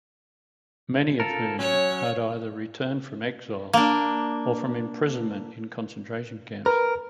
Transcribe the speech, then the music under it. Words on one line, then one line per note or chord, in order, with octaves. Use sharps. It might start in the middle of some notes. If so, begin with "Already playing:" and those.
Many of whom had either returned from exile or from imprisonment in concentration camps.
F4 A4 A#4
F#3 C#4 C#5
A#3 D4
A#4 B4